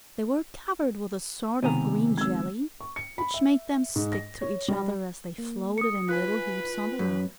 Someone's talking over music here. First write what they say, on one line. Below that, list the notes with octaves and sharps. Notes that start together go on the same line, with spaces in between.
They were covered with a sort of green jelly which made them stick to each other as they floated in little heaps on the water.
C#2 C3 D#3 B3 G#5 A#5
G#1 E6 G#6
C#6
C#7
B5
E5
G#2
A#6
C#5
G3
A#3
D#6 C#7
F4 B4 G#5 F#6
F#2